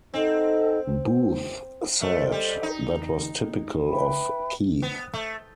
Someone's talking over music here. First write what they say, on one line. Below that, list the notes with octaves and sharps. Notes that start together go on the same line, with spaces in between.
Booth said That was typical of Keith.
C4 D#4 A4 D#5 F#5
A3 A4 C5 D#5
G3
D#4
B4 E5 G5 B5
B3
A3